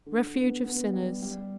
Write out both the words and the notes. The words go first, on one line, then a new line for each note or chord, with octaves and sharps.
Refuge of sinners.
D3
B3
B3
G3
G3